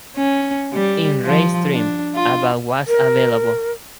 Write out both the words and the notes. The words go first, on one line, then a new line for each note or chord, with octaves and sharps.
In race trim, about was available.
C#4
G3
F3
D4
F4
A#4